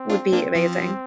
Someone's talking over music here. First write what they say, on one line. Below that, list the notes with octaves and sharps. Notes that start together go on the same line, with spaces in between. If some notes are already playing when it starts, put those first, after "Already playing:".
would be amazing.
Already playing: C4
D4 F4
A#3 D4
F3